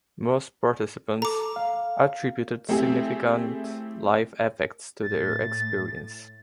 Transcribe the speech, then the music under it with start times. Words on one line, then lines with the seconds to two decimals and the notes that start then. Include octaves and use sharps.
Most participants attributed significant life effects to their experience.
1.22 A4 A#5 D6
1.56 F5
2.69 A3 C4 E4 G4 G#4
5.03 A2 A6